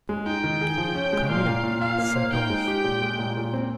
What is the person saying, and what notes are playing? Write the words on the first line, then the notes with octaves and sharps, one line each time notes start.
"Come in," said Oz.
G#3
D#4 G5
D#3
G#4
F3
C#4
G#3
A#2 F5
A#2
A#2
F4 F5
A#3
C5
D#4 G5
G#3
G4
A#2
G#3
A#2
A#2
C4